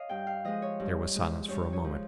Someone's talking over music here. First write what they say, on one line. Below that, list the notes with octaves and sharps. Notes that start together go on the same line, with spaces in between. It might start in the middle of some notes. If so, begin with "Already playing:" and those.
There was silence for a moment.
Already playing: C#5 D#5 F5
G2 G5
F5
F3 G#3 D#5
C#5
G2
F3 G#3
G2 C#5
C#5
F3 G#3